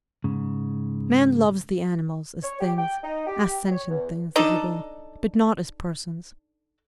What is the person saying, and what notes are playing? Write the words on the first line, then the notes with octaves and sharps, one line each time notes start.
Man loves the animals as THINGS,--as SENTIENT THINGS, if you will,--but not as PERSONS.
G#2 C#3
C#5
G4
G5
D#4
G4
C#5
E2
D4 D#4 A4